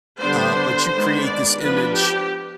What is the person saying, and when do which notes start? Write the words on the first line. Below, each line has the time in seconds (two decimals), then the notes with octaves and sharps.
uh, but you create this image
0.20 D3 G3 B3 D4 C5
0.91 D#3 G#3 B3 D4
1.25 D5
1.61 F3 B3 D4 B4
1.95 G4